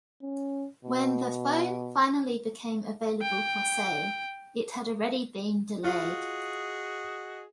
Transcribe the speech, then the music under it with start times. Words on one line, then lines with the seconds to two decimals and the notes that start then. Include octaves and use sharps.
When the phone finally became available for sale, it had already been delayed.
0.22 C#4
0.84 B2
3.22 G5
5.84 F4 F#4 G#4 D#5